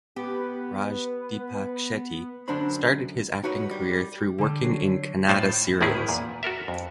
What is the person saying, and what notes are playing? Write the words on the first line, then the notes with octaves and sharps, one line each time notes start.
Raj Deepak Shetty started his acting career through working in Kannada serials.
B3 G4 B4
F#2 D3 D4 A#4 C5 B5
D#4 F#4 A#4 B4 C#5
G3
D3 G3
F#3 C7
A2 D#4 F4 C5 D5 A5
G#1 A2 D#3 E4 G#4
E2 A#2
F#4 A4 A#4 E5
F2